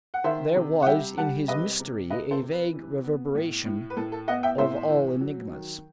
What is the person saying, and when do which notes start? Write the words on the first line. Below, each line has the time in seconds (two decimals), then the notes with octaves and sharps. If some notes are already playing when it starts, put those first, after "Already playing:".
There was in his mystery a vague reverberation of all enigmas.
0.14 F#5
0.24 D#3 C5 E5
0.55 C3
0.82 F#5
0.86 G3 E5 G5
1.17 G3 F#5 A5
1.48 C3 B4 D#5
1.79 C3
2.10 C3 B4 D#5
2.31 A4 C5
2.42 C3
2.52 B4
2.73 E3
3.04 B3
3.35 A2
3.65 A2
3.90 B4
3.97 A2 A4
4.12 A4
4.28 B3 D#5 F#5
4.43 E5 G5
4.58 A2 C5 E5
4.89 E3
5.21 F#3
5.52 D#3